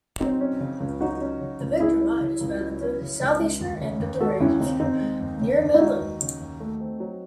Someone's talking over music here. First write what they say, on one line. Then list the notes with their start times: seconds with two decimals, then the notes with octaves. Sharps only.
The Victor Mine is found at the southeastern end of the range near Midland.
0.20 F#3 C4 D#4
0.40 C#4
0.60 C#3
0.80 C#2
1.00 F#3 D#4 F#4
1.21 C#4
1.40 C#3
1.60 C#2
1.80 F#3 E4 G#4
2.01 C#4
2.21 C#3
2.41 C#2
2.60 F#3
2.81 C#4
3.01 C#3
3.20 C#2
3.40 G#3
3.61 D#2
3.81 C#3
4.00 D#2
4.20 G#3 F#4 A4
4.40 D#2 C#4 E4
4.60 C#3 C4 D#4
4.80 D#2 C4 D#4
5.00 G#3
5.21 D#2
5.40 C#3
5.60 D#2
5.74 E4
5.80 G#3 D#4 F#4
6.00 D#2
6.20 C#3
6.40 D#2
6.60 A3
6.80 C4
7.00 F#3